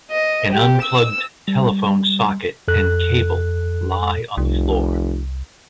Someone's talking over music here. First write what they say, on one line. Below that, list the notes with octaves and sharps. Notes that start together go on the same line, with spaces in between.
An unplugged telephone socket and cable lie on the floor.
D#5
G4
E6
G3
F2 A4 F#6
F1 C2